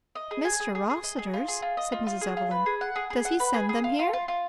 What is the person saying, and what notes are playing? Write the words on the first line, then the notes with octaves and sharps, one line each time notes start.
"Mr. Rossitur's!" said Mrs. Evelyn;--"does he send them here?"
D#5
G#4
G#5
G#4
G#4
G#4
D#5
G#4
F4
G#4
F4
D#5
F4
F4
G#4
F4
B4
G#4
F#5
G#4
G#4
F#5
B4
G#4
G#4
F4
F4
F4
F4